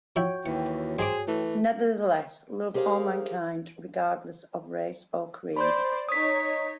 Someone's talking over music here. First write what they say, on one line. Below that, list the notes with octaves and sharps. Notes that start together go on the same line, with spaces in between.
Nevertheless, love all mankind regardless of race or creed.
F3 E4 F#4 C#5 E5 G5
D#2 E3 F#5
G2 G#3 G#4 C5 D6
E3 A3
G4 G#4 A#4 C5 C#5 F5
C5 D5 B5 C6 G6
D#4 C#5 D#6 B6